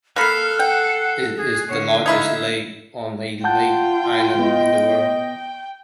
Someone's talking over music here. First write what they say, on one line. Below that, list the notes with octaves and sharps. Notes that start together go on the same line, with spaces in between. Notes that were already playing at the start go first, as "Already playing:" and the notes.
It is the largest lake on a lake island in the world.
A#3 A4 B5 F6 F#6 C7
F#5 G5
G#4
D3 C#5
D#4 E4 E5 F5 G#6 B6
F4 F#5 G5 A5 G6
B3 D#5